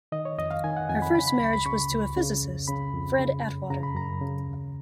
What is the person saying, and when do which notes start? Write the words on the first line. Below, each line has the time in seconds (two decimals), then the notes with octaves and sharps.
Her first marriage was to a physicist, Fred Atwater.
0.12 D#3 D#5
0.25 C#5
0.38 F2 D#5
0.51 F5
0.64 D#3 G#5
0.77 F#5
0.89 F2 G#5
1.02 B5
1.15 C#3 B5
1.27 B5
1.40 C#2 B5
1.53 B5
1.66 C#3 C#6
1.92 C#2
2.17 C#3
2.43 F2
2.68 C#3 B5
2.94 F2
3.19 C#3
3.45 F#2
3.70 C#3 A#5
3.83 B5
3.95 F#2 A#5
4.21 C#3
4.46 D#2